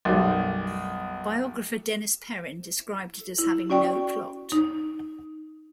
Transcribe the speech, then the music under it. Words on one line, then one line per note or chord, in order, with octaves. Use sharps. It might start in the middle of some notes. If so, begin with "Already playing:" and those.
Biographer Dennis Perrin described it as having no plot.
B1 F#2 G3
E4
C#4 F#4 D5 G5 C#6
D#4